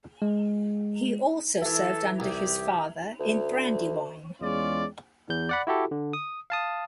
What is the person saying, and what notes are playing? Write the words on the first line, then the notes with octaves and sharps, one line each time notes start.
He also served under his father in "Brandywine".
G#3
E3 E4 A4
C2 G4
D2
E2 G#3 C#4 F4 D5
E2 G6
D5 F#5 B5
E4 F#4 G4 A4
D3
D#6
F5 A5 D#6